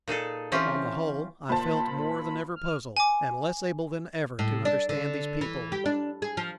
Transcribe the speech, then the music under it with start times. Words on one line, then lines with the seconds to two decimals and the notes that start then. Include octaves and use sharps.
On the whole, I felt more than ever puzzled, and less able than ever to understand these people.
0.08 A#2 D#4 G#4 A4
0.52 E3 C4 C#4 F4 G4
1.49 A#2 C5 A5 B5
2.56 F6
2.97 G#5 D6
4.39 A2
4.65 D4
4.89 D3
5.41 E3
5.72 G4
5.86 D4
6.22 G#4
6.37 F3